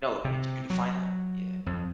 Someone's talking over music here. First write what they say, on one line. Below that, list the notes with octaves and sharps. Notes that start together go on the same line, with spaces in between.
No, if you can define that Yeah.
C3
F#3
F2